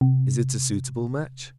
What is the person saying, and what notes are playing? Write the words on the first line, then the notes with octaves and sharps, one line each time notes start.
"Is it a suitable match?"
C3